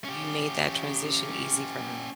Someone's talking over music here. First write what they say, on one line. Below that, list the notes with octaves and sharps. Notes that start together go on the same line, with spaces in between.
you made that transition easy for her,
C#4 G4